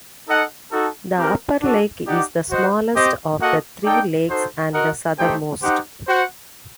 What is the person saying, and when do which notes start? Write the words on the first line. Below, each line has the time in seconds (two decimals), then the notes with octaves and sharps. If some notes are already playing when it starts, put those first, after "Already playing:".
The Upper Lake is the smallest of the three lakes, and the southernmost.
0.27 D#4 A4 D#5 F#5
0.72 D#4 F#4 A4
1.17 C4 G4 A#4
1.61 D4 F#4 A4 D5
2.05 D#4 G4 D5 F#5
2.51 F#4 C5 D#5 F#5
2.94 C4 G4 C5 D#5
3.40 A#3 F#4 A4 D#5 F#5
3.84 D#4 A4 D5 G5
4.29 D#4 F#4 A4 C5
4.73 F#4 A#4 D#5 F#5
5.18 A3 D#4 G4 C5 G5
5.62 D#4 G4 C5 F#5
6.07 F#4 C5 F#5